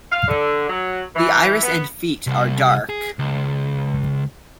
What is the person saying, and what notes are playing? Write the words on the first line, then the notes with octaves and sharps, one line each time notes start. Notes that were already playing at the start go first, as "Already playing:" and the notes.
The iris and feet are dark.
F5
D3
F#3
E3
B3
C2
G#4
C#2